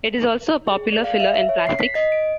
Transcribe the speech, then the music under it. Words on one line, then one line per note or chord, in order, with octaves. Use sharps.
It is also a popular filler in plastics.
G#4
D5
F5
E5
E5
C#5
C7
B6
D#5
D7